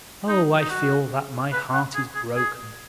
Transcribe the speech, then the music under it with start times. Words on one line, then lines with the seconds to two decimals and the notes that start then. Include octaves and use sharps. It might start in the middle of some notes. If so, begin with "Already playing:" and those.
Oh, I feel that my heart is broken.
0.28 D#4
0.60 D#4
0.70 F#4
1.53 B4
1.74 F#5
1.95 G#4
2.15 G#4
2.36 G#4